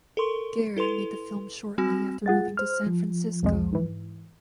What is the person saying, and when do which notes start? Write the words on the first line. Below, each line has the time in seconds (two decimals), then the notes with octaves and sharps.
Gehr made the film shortly after moving to San Francisco.
0.17 A4 A#4 C6 C#6
0.77 E4 A4 B4 C6 F7
1.78 G3 C4 F#4 G#5
2.26 G#3 F4 G#4 F#5 A6
2.57 C5 F6
2.87 F3
3.43 C2 F2 G#3
3.73 G#2 E3